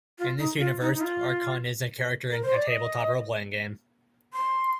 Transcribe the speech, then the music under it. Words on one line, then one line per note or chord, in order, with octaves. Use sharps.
In this universe, Arkon is a character in a tabletop roleplaying game.
F4
D#4
F4
D#4
D#4
F4
A#4
C5
D5
D#5
C6